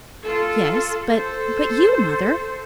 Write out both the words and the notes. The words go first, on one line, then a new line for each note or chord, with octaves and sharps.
"Yes--but--but you, Mother?"
F4 A4
A4 C5